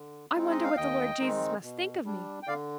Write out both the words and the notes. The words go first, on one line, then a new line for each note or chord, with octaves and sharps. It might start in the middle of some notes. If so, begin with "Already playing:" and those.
I wonder what the Lord Jesus must think of me.
Already playing: D3
G#3 C4 D#4
D#5
F5
D#2 D#5 G5
D#3 G#3 C4 D#4
B2
G3 D4
G5
D3 D5 F5